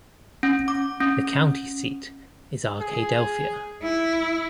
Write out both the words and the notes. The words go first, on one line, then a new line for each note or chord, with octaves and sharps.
The county seat is Arkadelphia.
C#4
D6
C#4
G#4
E4